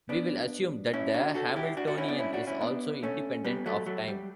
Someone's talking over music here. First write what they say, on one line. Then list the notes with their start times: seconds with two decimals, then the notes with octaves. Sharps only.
We will assume that the Hamiltonian is also independent of time.
0.09 B3 D4
0.93 C#4 E4
1.14 D4 F#4
1.35 F#4 A4
1.56 E4 G4
1.77 D4 F#4
1.87 D4 F#4
1.98 C#4 E4
2.08 B3 D4
2.19 C#4 E4
2.33 D4 F#4
2.47 C#4 E4
2.61 B3 D4
3.03 A3 C#4
3.44 G3 B3
3.66 F#3 A3
3.86 F#3 A3
4.08 G3